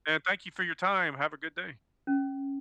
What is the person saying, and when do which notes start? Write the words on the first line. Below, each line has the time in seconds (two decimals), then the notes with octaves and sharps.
And thank you for your time. Have a good day.
2.07 C#4